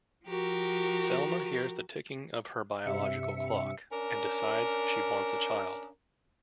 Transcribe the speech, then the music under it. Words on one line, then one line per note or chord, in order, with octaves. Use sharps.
Selma hears the ticking of her biological clock, and decides she wants a child.
F3 F#4 G4 A#4
G2 C3 E5 C#7
C#4 D4 A#4